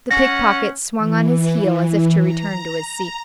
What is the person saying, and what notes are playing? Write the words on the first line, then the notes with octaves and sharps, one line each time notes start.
The pickpocket swung on his heel as if to return to his seat.
C#4 F#5 A#6
E3
A#5